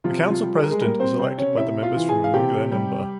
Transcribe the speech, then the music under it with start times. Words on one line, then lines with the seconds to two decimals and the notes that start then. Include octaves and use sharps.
The council president is elected by the members from among their number.
0.04 C3 F3 F4
0.30 F3 F4
0.43 G3
0.55 G#4
0.63 A#4
0.71 G#3 G#4
0.80 G3 A#3 A#4
0.99 C4 C5
1.19 C3 C4 C5
1.38 C#4 C#5
1.57 C3 E4 E5
1.83 F4 F5
1.96 E3
2.09 G#4 G#5
2.24 F5
2.34 C3 G4 G5
2.72 G3